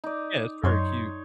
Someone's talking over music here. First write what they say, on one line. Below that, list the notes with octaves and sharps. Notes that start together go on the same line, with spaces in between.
Yeah, it's very cute.
D#4 D5
F#2 D#4 C#5 C6